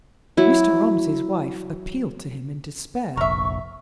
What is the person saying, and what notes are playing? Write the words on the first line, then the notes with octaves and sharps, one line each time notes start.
Mr. Romsey's wife appealed to him in despair.
F#3 E4
F1 A#1 A#4 E5 C#6